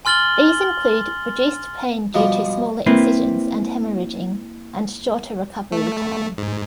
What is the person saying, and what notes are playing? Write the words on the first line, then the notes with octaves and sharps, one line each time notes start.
These include reduced pain due to smaller incisions and hemorrhaging, and shorter recovery time.
G#5 C6 F6 A6 F#7 G7
B2 F3 G3
A#3 C4 E4 B4
A3
G#2